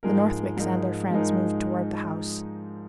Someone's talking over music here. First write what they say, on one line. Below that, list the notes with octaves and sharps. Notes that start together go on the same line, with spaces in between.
The Northwicks and their friends moved toward the house.
G#2 F3 G#3 D#4 A#4
G#2 F3 G#3 D#4 A#4
G#2 F3 G#3 D#4 A#4